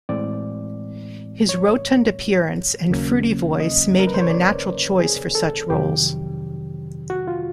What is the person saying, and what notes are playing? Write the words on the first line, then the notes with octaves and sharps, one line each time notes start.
His rotund appearance and fruity voice made him a natural choice for such roles.
A2 E3 G#3 C4 D5
C#5
D#2 C#3 F#3 A#3 C#4
D#5
A#4
B4
C5
C#5
D5
G#4
A4
F2 C3 D#3 F#3 G4
F#4
F4